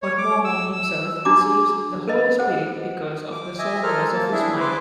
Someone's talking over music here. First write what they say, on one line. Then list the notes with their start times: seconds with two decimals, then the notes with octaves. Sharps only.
But Mormon himself receives the Holy Spirit because of the soberness of his mind.
0.02 C#5
0.18 D6
0.45 E6
0.73 E6
1.25 D4 F#4 A#5 D6
2.08 A#4 B4 D#5
2.39 C5 F#5
3.32 D6
3.59 D#5 E5 G#5
3.83 A4 A#4 C5 F6
4.12 A#3 A5
4.32 D4 E4 G#4 E5
4.60 B4 C5 C6 D6